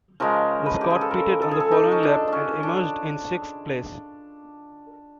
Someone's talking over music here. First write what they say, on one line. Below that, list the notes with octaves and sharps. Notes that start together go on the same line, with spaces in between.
The Scot pitted on the following lap and emerged in sixth place.
C#3 F3 G#3 A#4
B4
G4
G#4
A4
A#4
A4
G#4
A4
D#4
C#4
D4
C#4 D4
D4